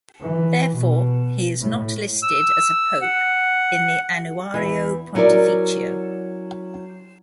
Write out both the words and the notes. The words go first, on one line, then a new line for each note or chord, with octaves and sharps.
Therefore, he is not listed as a pope in the "Annuario Pontificio".
E3
B2
A2
E6
F#5
E2 E3
F#3 C#4 E4 A#4 D5